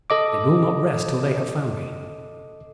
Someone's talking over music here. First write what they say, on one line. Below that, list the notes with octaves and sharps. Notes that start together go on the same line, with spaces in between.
They will not rest till they have found me.
A4 D#5 D6